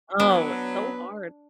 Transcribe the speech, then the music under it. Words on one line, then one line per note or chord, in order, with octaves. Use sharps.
Oh, so hard.
F#3 B3 D4 B4